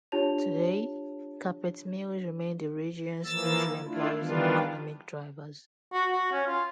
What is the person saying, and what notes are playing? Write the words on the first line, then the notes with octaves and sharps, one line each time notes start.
Today, carpet mills remain the region's major employers and economic drivers.
D4 F4 G4 C#5 A5 F7
E3 F3 A#3 E6 A6
A3 D4 E4 F4
D#3 E3 G3 B3 D4 F4
F#4
F#4
C#4
F4